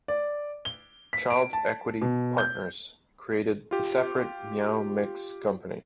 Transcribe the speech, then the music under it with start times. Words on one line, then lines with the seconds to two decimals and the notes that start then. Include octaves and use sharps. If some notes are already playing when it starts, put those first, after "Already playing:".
Childs Equity Partners, creating the separate Meow Mix Company.
0.08 D5
0.65 G7
1.13 B6
1.30 D7
1.53 A5
2.02 B2
2.38 G6
3.71 F4 G4